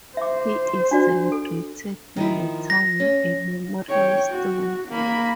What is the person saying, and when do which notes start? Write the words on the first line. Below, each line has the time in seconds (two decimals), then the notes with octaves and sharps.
He is celebrated in the town with a memorial stone.
0.17 C5 E5 D6
0.91 D4 F#4 D5
1.32 A4
2.16 D#3 F3 E4
2.70 A#6
3.00 C#4
3.89 C#5 G5
4.30 F#4
4.89 A#3 B5